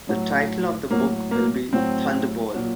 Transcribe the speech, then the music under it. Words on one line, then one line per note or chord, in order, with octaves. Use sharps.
The title of the book will be Thunderball.
A2 F#3
A2 F#3 A#3
A#3
A2 F#3 C4
A#2 F#3